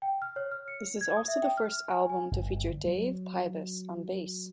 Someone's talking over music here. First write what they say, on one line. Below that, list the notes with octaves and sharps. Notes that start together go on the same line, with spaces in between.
This is also the first album to feature Dave Pybus on bass.
G5
F6
C#5
F6
C#7
G#6
D#6
E5
G5
F6
G#5
G#5
G1
F#3